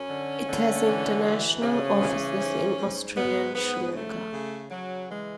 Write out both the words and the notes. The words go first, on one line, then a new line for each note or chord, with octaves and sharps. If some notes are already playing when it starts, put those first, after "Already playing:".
It has international offices in Australia and Sri Lanka.
Already playing: F#2 C#4
D3
D3
E3
D2
C#3 C#4
E3
G#2
G#2
G#2 B3
G#2 B3
C#3 A3
C#3
C#3 F#3
E3 G#3